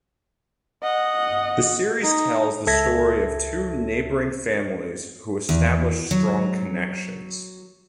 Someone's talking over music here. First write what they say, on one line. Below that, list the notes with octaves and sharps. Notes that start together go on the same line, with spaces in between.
The series tells the story of two neighbouring families who establish strong connections.
D#5 F#5
D#4
C#2 A4 E5 G#6 A#6
E2
F#3